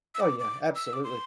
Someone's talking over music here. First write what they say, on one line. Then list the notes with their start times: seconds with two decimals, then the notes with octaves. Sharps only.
Oh yeah, absolutely.
0.15 E6
0.20 D6
0.40 D6
0.76 E6
0.93 D6
1.04 C6